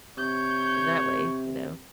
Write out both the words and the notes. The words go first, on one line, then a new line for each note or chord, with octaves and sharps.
in that way. You know?
C3 C#5 G6